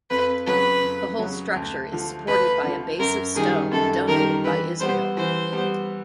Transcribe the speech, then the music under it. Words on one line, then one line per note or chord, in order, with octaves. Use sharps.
The whole structure is supported by a base of stone donated by Israel.
F2 B4
C#3 F#3 B4
F2
C#3 F#3
D2
D3 F3
D2 B4
D3 F3
F#2 A#4
D#3 G3 G#4
F#2 A4
D#3 G3 A#4
E3 B4
G3 B3 C5
E3 C5
G3 B3